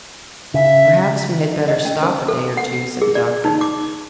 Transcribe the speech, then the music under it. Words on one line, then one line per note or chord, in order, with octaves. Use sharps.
"Perhaps we had better stop a day or two," said the doctor.
C#3 E5
D#5
C#4
C5
A4
F#5
G#4
D5
D#4
D6